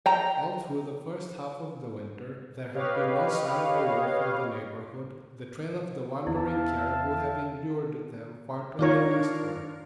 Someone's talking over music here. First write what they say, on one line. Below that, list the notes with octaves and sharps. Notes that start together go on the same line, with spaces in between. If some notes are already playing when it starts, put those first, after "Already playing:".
All through the first half of the winter there had been no sign of a wolf in the neighborhood, the trail of the wandering caribou having lured them far to the eastward.
G5 A#5
G4 B4 C#5 D#5 F5
E2 E4 E5 F5 A5
D#3 D4 F4 A#4 C#5